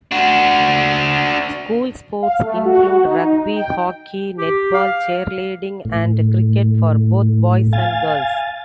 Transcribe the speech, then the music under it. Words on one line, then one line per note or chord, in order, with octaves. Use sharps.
School sports include rugby, hockey, netball, cheerleading and cricket for both boys and girls.
D4 F#4
F5
A3
F#4
D#4
G5
G4
F5
A2
F5 G#5 A6